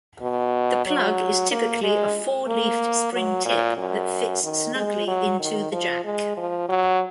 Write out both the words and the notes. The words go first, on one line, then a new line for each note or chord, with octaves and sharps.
The plug is typically a four-leafed spring tip that fits snugly into the jack.
B2
F#3
A#3
G#3
A#3
F#3
A#2
F#2
D#3
G#3
F#3
D#3
F3
G#3
F3
F#3